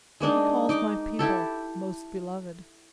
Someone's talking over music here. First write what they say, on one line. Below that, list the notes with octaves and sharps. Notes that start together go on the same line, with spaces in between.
"He calls my people 'most beloved'."
G#3 A#3 D4 D#4
D#4 D6
E4 G4 A4